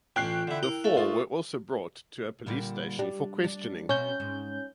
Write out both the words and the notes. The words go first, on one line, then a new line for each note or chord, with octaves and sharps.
The four were also brought to a police station for questioning.
A1 C#4 F4 G5 F#6 C7
D3 E4
E4 A#4
A3 A4 F5
F4 A#4 C#6 D#6
A#2 D3 G3
G3 D4
D4
B2 C4 C#4 E4 G6
G#2